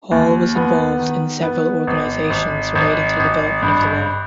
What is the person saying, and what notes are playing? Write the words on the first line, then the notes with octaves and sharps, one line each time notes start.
Hall was involved in several organizations relating to the development of the law.
D#2
B3
D#3
B3
G#1
G#1
G#1
G#1
G2